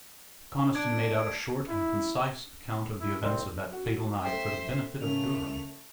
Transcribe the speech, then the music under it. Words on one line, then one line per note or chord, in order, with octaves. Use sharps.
Conniston made out a short and concise account of the events of that fatal night, for the benefit of Durham.
D4 G#6 D7
E4
E4
C2 C4 G5
F#4
A3 C5 E5 G5
C#3 A3 A#3 C#4 F7